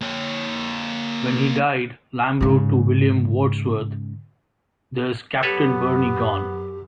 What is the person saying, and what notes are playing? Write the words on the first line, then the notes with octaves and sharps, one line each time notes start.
When he died, Lamb wrote to William Wordsworth: There's Captain Burney gone!
A#3 C#5
G#2 C#3
F#2 B3 G4 A4 B4 C#5